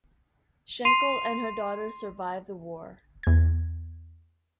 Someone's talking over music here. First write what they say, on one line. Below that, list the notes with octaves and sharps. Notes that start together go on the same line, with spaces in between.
Schenkl and her daughter survived the war.
C6 C7 D#7 F7
E2 G#6